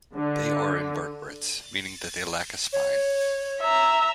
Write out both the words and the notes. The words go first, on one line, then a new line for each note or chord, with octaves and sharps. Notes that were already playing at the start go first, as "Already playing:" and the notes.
They are invertebrates, meaning that they lack a spine.
D3
C#5
E5 A#5